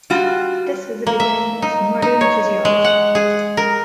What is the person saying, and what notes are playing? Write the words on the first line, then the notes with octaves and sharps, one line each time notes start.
This was the beginning of modern physiology.
G3 F4 F#4
A#3
E5
D#4
D#4
C#5
G#3
F#5
G#4
A#4